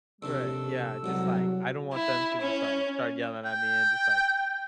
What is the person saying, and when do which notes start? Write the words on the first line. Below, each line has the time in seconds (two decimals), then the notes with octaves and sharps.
Right, yeah, just, like, I don't want them to just, like, start yelling at me and just, like
0.22 A#1 D#2 C3 A4 E6
1.04 C2 G#2 F#3
1.93 E4
2.41 C#4
3.46 G5